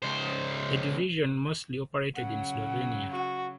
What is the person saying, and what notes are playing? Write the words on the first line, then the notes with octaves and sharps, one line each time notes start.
The division mostly operated in Slovenia.
C#2 C5
C#3 F#3 F#5
F#4